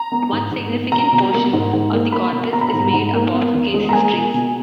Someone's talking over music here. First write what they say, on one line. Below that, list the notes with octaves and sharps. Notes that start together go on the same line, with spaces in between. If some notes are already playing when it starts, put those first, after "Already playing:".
One significant portion of the corpus is made up of case histories.
Already playing: A#5
B3
G#2
G#2
B3
B2 A#5
B2
A#3
G#2
G#2
A#3
A#3 B5
B2
B2 A#5
B5
G#2 A#5
G#2
A#3
B3
E2
G#3
A#5
A#3 G#5
B2
B2